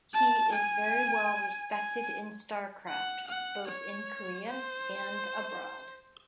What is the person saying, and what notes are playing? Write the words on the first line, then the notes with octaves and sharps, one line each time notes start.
He is very well respected in StarCraft both in Korea and abroad.
A5
G#5
G#5
F#5
F#5
C#5
C5